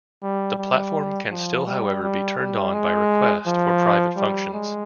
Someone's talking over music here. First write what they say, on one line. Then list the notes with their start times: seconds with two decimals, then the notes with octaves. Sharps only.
The platform can still however be turned on by request for private functions.
0.23 G3
0.58 G3
1.30 F3
1.66 G3
2.02 G3
2.38 G3
2.74 G#3
3.46 F3
4.17 G3
4.53 G#3